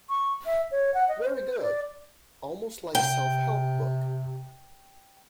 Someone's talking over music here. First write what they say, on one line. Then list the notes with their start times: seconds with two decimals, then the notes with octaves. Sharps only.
Very good, almost like self-help book.
0.09 C#6
0.46 E5
0.71 C#5
0.94 F#5
1.09 D#5
1.23 C5
1.62 D5
2.95 C3 G5